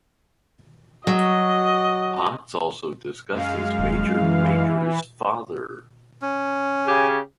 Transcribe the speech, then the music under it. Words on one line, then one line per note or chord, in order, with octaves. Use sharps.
Potts also discusses Major Major's father.
F#3 F#4 D#5
F#2 G#3 F5
D#1
E3
C#4
C#3 G4 G#5